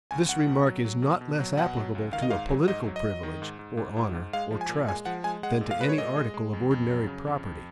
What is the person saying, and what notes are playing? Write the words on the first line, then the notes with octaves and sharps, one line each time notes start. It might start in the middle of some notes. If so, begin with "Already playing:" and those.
This remark is not less applicable to a political privilege, or honor, or trust, than to any article of ordinary property.
C#2 G#5
C#2 F#5
B2
F#3
F#3
B2
B2
F#3
B2 F#5
F#3
C#2
D#3 F5
D#5
G#2 F5
F#3
G#2 D#5
F#3
D#5
F#3
D#3
G#2
G#2
G#2
G#2
G#2
G#3 F5
F3
G#5
A#2
G#3 G#5
F3 F#5
G#3 G#5
G#3 F#5
A#2
F5
G#3 B4
C#5
A#2 D#5
G#3
G#3
F2
F2
F#3
C#3
F2
F2